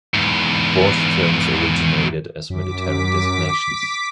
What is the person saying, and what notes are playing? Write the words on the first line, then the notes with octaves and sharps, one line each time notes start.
Both terms originated as military designations.
E2 G#2
F#2 D6 B6